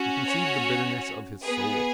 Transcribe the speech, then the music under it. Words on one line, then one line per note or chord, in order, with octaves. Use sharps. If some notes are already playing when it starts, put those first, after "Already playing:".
You conceive the bitterness of his soul.
Already playing: C#4 F#4
C#5
B3 G#4 B4